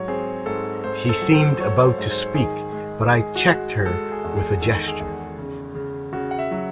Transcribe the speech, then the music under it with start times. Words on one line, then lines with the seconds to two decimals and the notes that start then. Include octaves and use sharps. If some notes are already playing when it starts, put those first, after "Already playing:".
She seemed about to speak, but I checked her with a gesture.
Already playing: G#2 F#3 C#5
0.08 C4 G#4
0.46 G#2 A4
0.84 G#2 C5
1.09 A4
1.22 F#3
1.34 C5
1.60 F#3 C#5
1.85 C5
1.98 G#2
2.11 C5
2.35 D#3 G#4
2.72 G#3
3.10 G#3 G#4
3.36 F#4
3.49 G#3
3.86 G#3 A4
4.12 G#4
4.24 E2
4.37 G#4
4.62 D#3 A4
4.88 G#4
5.00 E2
5.38 C#3
5.75 C#3
6.13 C#3 F#4
6.31 F#5
6.39 E5
6.51 F#3